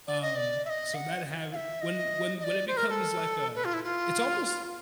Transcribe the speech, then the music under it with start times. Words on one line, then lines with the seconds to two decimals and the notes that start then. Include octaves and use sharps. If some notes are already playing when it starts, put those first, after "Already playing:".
Um, so that have when when when it becomes like a it's almost
0.08 D5
0.22 D#5
0.36 D5
0.65 E5
0.70 D#5
0.94 F#5
1.52 F5
1.56 E5
1.81 D#5
2.39 D#5
2.44 D5
2.68 C5
2.77 A#4
2.87 A#4
2.91 A4
3.55 B4
3.65 F4
3.74 E4
3.84 F4